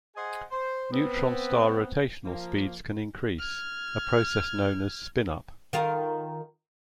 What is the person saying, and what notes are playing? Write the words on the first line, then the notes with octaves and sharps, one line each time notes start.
Neutron star rotational speeds can increase, a process known as spin up.
G#4 C5 D#5 F#5 G#5
C5
B3 C4 B4
F3 A#3
F6 G#6
D#3 F4 A#4